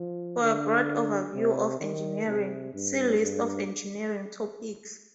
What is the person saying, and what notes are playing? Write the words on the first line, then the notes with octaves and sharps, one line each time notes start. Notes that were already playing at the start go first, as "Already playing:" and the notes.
For a broad overview of engineering, see List of engineering topics.
Already playing: F3
D3
C3
D#3
C3
G2
G2